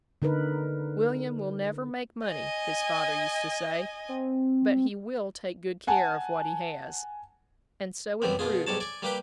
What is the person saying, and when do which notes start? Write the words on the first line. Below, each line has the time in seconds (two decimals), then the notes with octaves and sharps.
"William will never make money," his father used to say; "but he will take good care of what he has." And so it proved.
0.22 D3 D#4 A#4 B4
2.27 D#5 G#5
4.09 C4
5.87 F#5 G#5 A5
8.22 C2 F#2 E3 G3 B3 C4
8.39 B2 B3 F4 G#4
8.67 B1 G#2 G3 C#5 A5
8.80 D5 G#5
9.02 G3 A#3 G4 B4 G5